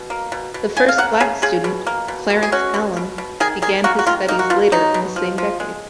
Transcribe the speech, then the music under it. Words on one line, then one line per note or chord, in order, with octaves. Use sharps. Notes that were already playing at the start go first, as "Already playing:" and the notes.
The first black student, Clarence Allen, began his studies later in the same decade.
Already playing: B2
A#3
B2
B2
C#3 G#5
F5
A#3 F#5
C#3 G#4
C#3 G#4
B2
A#3
B2
B2
G#4
C#4 F#4
B2
B2
B2
D#3 G#4
D#3 G#4
A#3 F#4
F#4
D#3 F4
A#3 D#4
F#4
B2 F4
F#3 D#4
B2
F3
F3
G#3